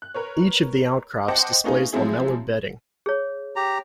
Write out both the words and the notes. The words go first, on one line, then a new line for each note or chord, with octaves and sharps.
Each of the outcrops displays lamellar bedding.
F#6
A#4 B4 C#5
C5 D#5 F#5 G5 A5 D6
A3 B3 C#4 D#4 F4 G#4
F3 F#3 G#3 C4 E4 G#4
G#4 C#5
G4 A#5